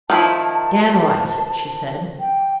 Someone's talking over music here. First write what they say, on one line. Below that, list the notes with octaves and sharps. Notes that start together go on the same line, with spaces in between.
"Analyse it," she said.
D#3 F3 E4 A5
G5